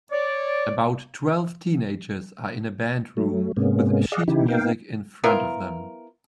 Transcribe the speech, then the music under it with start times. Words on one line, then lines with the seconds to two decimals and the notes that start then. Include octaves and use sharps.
About twelve teenagers are in a band room with sheet music in front of them.
0.11 C#5 D5
3.17 F#3 A3
3.57 G#2 C3 G#3 A#3 B3 C#4
4.12 G#4 D5 D#5 F5 F#5
4.28 C#3 E3 D#4 E4 G4
4.48 A#3 B3 D#4 F5 G5
5.24 B3 E4 F4 A#4